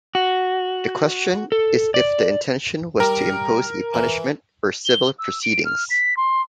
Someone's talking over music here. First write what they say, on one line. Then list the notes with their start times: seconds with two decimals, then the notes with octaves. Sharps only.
The question is if the intention was to impose a punishment or "civil proceedings".
0.15 F#4
1.52 A4
1.94 D5
3.00 G3 A#4
3.94 E3
4.85 G7
5.19 E6
5.43 D7
5.65 F6
5.90 B6
6.17 C6